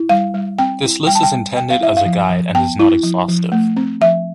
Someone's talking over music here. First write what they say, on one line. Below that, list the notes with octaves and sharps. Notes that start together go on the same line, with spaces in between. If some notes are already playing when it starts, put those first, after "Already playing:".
This list is intended as a guide and is not exhaustive.
Already playing: E4
G3 F5
G3
C4 G5
E4
G3 G5
A5
G5
G3
B3 G5
F5
E4 E5
F5
F3
F3
B3 G5
E4
F3
F3
A3
C4
F3 E5